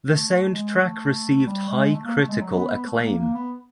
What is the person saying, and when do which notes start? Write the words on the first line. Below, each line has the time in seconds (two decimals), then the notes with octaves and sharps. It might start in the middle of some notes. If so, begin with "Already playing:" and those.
The soundtrack received high critical acclaim.
0.06 A3
0.53 G#3
0.76 A3
1.47 G3
1.69 G#3
1.93 A3
2.05 A#3
2.17 A3
2.28 G#3
2.41 F#3
2.55 B3
2.71 B3
2.87 A3
3.03 A#3
3.18 A#3
3.34 B3